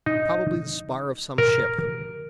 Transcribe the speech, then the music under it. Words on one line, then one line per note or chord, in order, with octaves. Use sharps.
"Probably the spar of some ship."
D#4
A#4